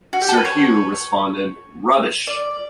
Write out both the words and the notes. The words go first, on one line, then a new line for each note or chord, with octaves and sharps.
Sir Hugh responded, Rubbish!
F#4
G4
A4
B4
C#5
D5